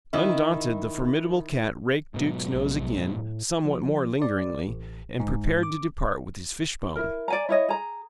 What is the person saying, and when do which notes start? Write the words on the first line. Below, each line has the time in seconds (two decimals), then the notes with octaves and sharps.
Undaunted, the formidable cat raked Duke's nose again, somewhat more lingeringly, and prepared to depart with his fishbone.
0.13 D#3 E4
2.14 G#2 B2 F#3
2.54 A#1
3.17 A2
3.65 F3
4.22 D5
4.68 A1
5.20 G#2
5.63 D6
6.96 E4 A#4
7.28 D5 G#5 A#5
7.49 E4 C#5 D#5
7.69 G#4 A#5